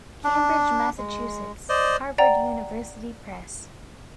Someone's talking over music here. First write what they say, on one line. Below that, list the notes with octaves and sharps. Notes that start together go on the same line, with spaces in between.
Cambridge, Massachusetts: Harvard University Press.
D4
G#3
C5 D5 D#5
D5 F#5 G5 A#5